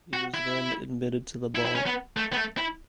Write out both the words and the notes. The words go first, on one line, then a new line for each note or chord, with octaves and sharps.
He was then admitted to the bar.
F#4
E4
E4
E4
C#4
B3
A3
B3
A3
E4